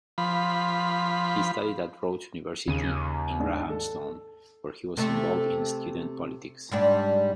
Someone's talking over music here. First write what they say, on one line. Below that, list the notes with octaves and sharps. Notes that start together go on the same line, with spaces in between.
He studied at Rhodes University in Grahamstown, where he was involved in student politics.
F3 B5
D#2 C#3 D#7
G#2 D4
A4
C3 A3
G#2 G3 D4